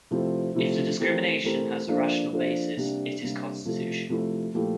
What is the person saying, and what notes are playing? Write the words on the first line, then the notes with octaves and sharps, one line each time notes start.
If the discrimination has a rational basis, it is constitutional.
C3 F3 A3 C4 E4
C3 F3 A3 C4 E4
E3 A3 C4 G4 A#4
E3 A3 C4 G4 A#4
F3 A#3 D4 A4 C5
F3 A#3 D4 A4 C5
C3 G3 A#3 D4 G4
C3 G3 A#3 D4 G4
C3 F3 A3 E4
C3 F3 A3 E4
A#2 F3 A3 E4 G4